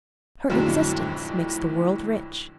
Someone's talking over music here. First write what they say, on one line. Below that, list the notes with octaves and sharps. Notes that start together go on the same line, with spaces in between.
Her existence makes the world rich.
B1 F2 A2 D3 F#3 G#3